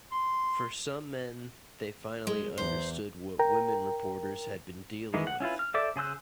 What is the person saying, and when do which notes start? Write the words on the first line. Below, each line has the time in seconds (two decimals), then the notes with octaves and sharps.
For some men they finally understood what women reporters had been dealing with.
0.12 C6
2.27 G#3
2.58 E2 C5
3.39 A#4 G5 A#5
5.14 D#3 E3 G#3
5.27 F#5
5.40 C#4 E4 F4 B4
5.59 F6
5.74 A4 C5 D5 E5 D6
5.96 C#3 G#4 C5 E6 F#6